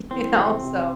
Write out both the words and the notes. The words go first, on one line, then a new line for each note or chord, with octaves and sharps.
You know? So,
E3 C4
C3
C3